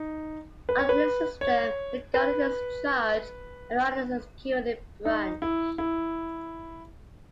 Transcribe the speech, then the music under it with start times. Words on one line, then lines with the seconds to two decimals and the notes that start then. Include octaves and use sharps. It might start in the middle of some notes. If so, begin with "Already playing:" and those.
Under this system, the governor is in charge of the island's executive branch.
Already playing: D#4
0.69 B4
0.79 C#5
0.89 B4
1.41 C#5
2.14 B4
5.05 D#4
5.42 E4
5.78 E4